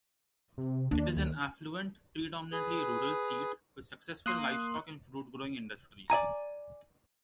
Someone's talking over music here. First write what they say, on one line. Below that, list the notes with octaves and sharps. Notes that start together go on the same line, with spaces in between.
It is an affluent, predominantly rural seat with successful livestock and fruit-growing industries.
C3
D#2 D4
D2
G#4 B4
A#3 C6 D#6 F#6
D5 D#5 G#5 A#5